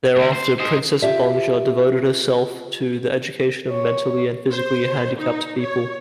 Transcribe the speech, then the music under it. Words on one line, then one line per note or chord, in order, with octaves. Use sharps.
Thereafter, Princess Bangja devoted herself to the education of mentally and physically handicapped people.
D2 G#2
C5
D#4 C5
F4 G4 E5
C#5
C5
D#4
C#5